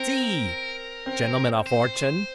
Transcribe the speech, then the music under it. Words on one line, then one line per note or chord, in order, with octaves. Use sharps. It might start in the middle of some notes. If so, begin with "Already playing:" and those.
Sea! Gentlemen o' fortune!
Already playing: C4 A#4
C4
C5